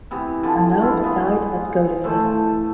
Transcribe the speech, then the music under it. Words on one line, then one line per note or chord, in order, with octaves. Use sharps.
Arnault died at Goderville.
C3 E3 B3
D3 E3 F3 F4
E4 F4
B3 F4 G#4
A2 E3 A3 C5